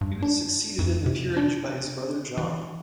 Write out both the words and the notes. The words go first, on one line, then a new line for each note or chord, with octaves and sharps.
He was succeeded in the peerage by his brother John.
G2
D4
F2
C3
D4
E3